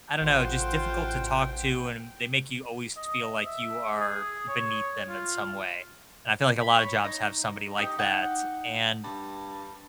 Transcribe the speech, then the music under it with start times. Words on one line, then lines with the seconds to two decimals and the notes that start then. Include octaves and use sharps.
I don't know, just difficult to talk to, and they make you always feel like you are beneath them in some way. And I feel like a lotta jobs have somebody like that. And
0.21 A1 F4 C5 F#5 G5
2.96 D#5
3.45 E5
3.99 G#4
4.49 C#5
5.09 F4
6.61 B5
6.75 C#5
7.04 D#4
7.78 D#4 G4
7.99 D#4 F#5 G5 D6
9.04 G2